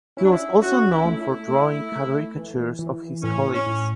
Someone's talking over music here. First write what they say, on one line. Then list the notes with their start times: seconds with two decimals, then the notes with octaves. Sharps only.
He was also known for drawing caricatures of his colleagues.
0.16 C#4 E4
0.23 D4
0.31 E4
0.60 C#4 F#4
0.90 E4
1.05 A3
1.19 E4
1.48 A3
1.92 A3
2.36 E3
2.79 E3
3.23 A2 C#4
3.53 C#4
3.67 A2